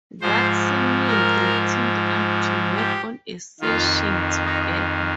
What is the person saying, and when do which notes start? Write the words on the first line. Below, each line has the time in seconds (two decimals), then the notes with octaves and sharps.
That same year they teamed up to work on a session together.
0.21 G#2 F3 C5
1.07 A#4
2.76 G4
3.61 F2 D#3 F4
4.45 D#4